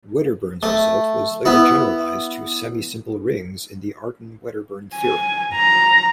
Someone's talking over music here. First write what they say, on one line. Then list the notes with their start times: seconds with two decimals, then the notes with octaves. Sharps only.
Wedderburn's result was later generalized to semisimple rings in the Artin-Wedderburn theorem.
0.63 A3
1.45 B3 E4
4.95 G#5
5.54 A#5